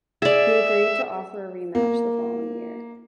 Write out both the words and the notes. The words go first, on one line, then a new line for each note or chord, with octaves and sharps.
He agreed to offer a rematch the following year.
G#4 D5 E5
A#3